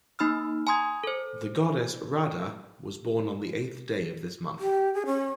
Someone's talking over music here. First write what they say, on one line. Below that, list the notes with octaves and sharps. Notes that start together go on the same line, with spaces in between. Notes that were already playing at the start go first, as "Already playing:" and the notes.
The Goddess Radha was born on the eighth day of this month.
A#3 D#4 B5 E6 F6
G#5 A#5 C6 D#6 G#6
A4 C5
G4
G#4
C#4